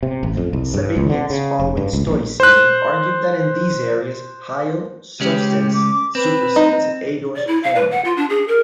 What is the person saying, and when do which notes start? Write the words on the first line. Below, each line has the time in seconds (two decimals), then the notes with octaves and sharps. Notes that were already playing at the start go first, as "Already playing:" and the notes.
Sabinians, following Stoicism, argued that in these areas "hyle" 'substance' supersedes "eidos" 'form'.
0.03 C3
0.23 A1
0.37 F2
0.53 C2
0.74 G2
0.96 C#2
1.10 D3
1.30 C#3
1.60 F1
1.77 G2
1.93 C#2
2.07 A#1
2.40 C5 F#6
5.20 C#2 G#3 C#4 G4
5.74 D6
6.15 C4 B4
6.56 D#4
7.36 D5
7.47 E4
7.63 F5
7.75 B4
7.91 F#5
8.04 F4
8.17 D4
8.30 G#4
8.48 A#4